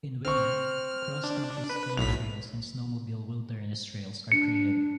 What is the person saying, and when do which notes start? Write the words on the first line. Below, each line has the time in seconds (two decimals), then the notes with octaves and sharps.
In winter, cross country skiing trails and snowmobile wilderness trails are created.
0.25 C4 C#6 F6
1.24 D4
1.70 B4
1.97 B1 A2 B6 F7
4.32 D4 C#7